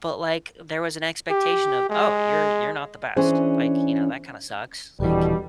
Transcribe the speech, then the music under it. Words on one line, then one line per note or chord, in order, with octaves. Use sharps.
but, like, there was an expectation of, "Oh, you're you're not the best." Like, you know, "That kinda sucks." Like,
G4
G#3
E3 C#4 D4 G#4 C5
D#1 B2 D3 E3 G3